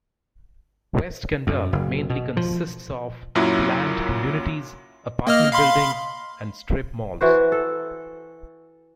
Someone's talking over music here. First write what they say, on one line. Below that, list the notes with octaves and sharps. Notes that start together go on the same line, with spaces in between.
West Kendall mainly consists of planned communities, apartment buildings, and strip malls.
F#2
F#1
B2
F3
F#2 A#2 F#3 E4
A#3 D#5 F6
F5 B5 C6
E3 F#4 C5
A4